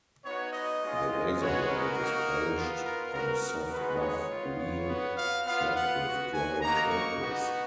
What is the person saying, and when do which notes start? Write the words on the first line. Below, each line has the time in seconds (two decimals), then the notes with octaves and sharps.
The razor blade is polished on a soft buff wheel fed with dry crocus.
0.24 B3 D#4 F#4 C#5
0.54 D#5
0.82 G#3 C#4 F4
1.40 G#3 B3 F#4 C#5
1.70 A#4
1.98 A#3 D#4 F#4
2.56 B3 F4
2.85 A#4
3.14 B3 F#4 A#4
3.42 A#4
3.72 G#3 B3 D#4 F#4 B4
4.01 C#5
4.29 B3 F4
4.59 C#5
4.88 B3 F#4
5.17 F5
5.46 B3 F4 F5
5.75 F#5
6.04 B3 F#4
6.33 G#5
6.61 A#3 D#4 F#4 A#5
6.90 C#6
7.20 B3 D#4 F#4